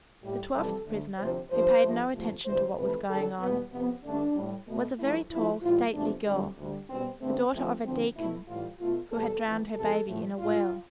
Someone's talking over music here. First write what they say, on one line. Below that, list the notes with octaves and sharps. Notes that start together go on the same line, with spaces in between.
The twelfth prisoner, who paid no attention to what was going on, was a very tall, stately girl, the daughter of a deacon, who had drowned her baby in a well.
A2 G3 G4
F2 C3 E3 G3 A4
D2 D3 A3
D2 C3 F3 C5
G2 F3 A3 C5
G2 F3 A3
D2 C3 F3 A3
D2 C3 E3 G3 C5
F2 C3 E3 A3 B4
F2 D3 G3 A4
E2 B2 G3 B3
F2 C3 F3 B3
G2 D3 A3 D4
A2 G3
B2 A3
G2 F3 A3 E4
G2 F3 A3 E4
A2 E3 G3 F4
E2 C3 F3 A3 D4
F2 D3 G3
D2 D3 G3
B2 G3 C4
G2 D3 A3 C4
G2 F3 A3 C4
D2 D3 F3 C4
B2 A3 E4
A2 E3 G3 F4
B2 A3 F4
E2 B2 G3 A4
F2 E3 A3
E2 C3 F3 A4
A2 F3 A3
A2 G3 F4